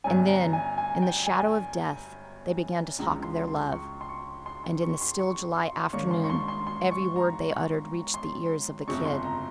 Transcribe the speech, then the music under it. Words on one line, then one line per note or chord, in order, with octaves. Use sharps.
And then, in the shadow of death, they began to talk of their love; and in the still July afternoon every word they uttered reached the ears of the Kid.
G1 G2 G3 C#4 G#5
A#5
G#5
G#5
G5
G#5
C#2 C#3 F3 A#5
C6
C6
C#6
C6
C#6
C6
C6
C#6
C6
C#6
C6
G#2 D#3 G3 A#3 C#4 C#6
C6
C#6
C6
C6
C6
C#6
A#5
C6
G1 F2 C#3 G#3 C4 C#6
C6
A#5